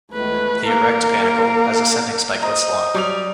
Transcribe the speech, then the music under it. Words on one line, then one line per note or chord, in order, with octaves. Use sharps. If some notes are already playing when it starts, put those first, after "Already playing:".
The erect panicle has ascending spikelets long.
C#2 A3 B4
A#3 A#4
C5 D#5 A#5
F#3 G3 D#6 F7